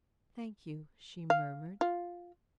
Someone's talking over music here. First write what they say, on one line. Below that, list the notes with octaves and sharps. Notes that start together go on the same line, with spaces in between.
"Thank you," she murmured.
F5
F4